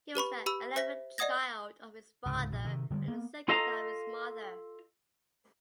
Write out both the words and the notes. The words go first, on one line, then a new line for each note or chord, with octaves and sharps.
He was the eleventh child of his father and the second of his mother.
G4 B4 B5 C#6
G4 B5 E6
C5 E5 A#6 B6
D5 D#5 F#5 D#6 G#6 A#6
C#2 G#2 C3
A#1 F#2
C3 D#3
D3 G3 G#3
A#3 B3
F4 A4 D#5 F5 A5 A#5